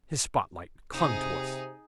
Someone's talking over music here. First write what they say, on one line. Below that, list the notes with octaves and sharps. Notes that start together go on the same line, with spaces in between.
His spotlight clung to us.
C3 D#4 G#4